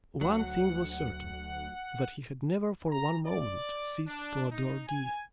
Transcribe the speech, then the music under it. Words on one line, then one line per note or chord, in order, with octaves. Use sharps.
One thing was certain, that he had never for one moment ceased to adore Dea.
D2 F#3 F#5
A#5
D5
D4
D#4
G#5